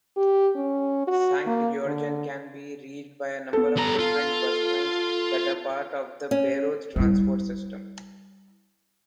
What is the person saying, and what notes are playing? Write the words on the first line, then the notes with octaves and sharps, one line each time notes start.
Sankt Georgen can be reached by a number of different bus lines that are part of the Bayreuth transport system.
G4
C#4
F#4
A#3
D3
B3 A4
G3 A#5
F4
C#4
G3 E4